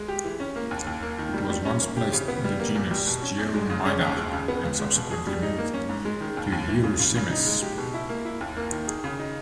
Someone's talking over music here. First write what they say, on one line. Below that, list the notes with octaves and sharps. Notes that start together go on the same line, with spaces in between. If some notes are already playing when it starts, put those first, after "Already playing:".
It was once placed in the genus "Geoemyda" and subsequently moved to "Heosemys".
Already playing: G#3
G4
E3
C#4
A#3
D#2
D#2
A#3
D#3
G3
G3
C#4
A#3
G4
C#3
B3
G3
A#3
E2
G3
B2
C#4
E2
G#3
C#3
C#4
D#2
G#3
C#3
B3
C#2
G#3
B2
G#4
G3
D#4
A#3
C#4
G#2
G#3
D#3
D#2
D#2
E3
C#3
C#3
C#3
D#4
G#3
G4
B2
E4
A#3
E4
D#2
A#3
D#3
G#4
C#3
D#4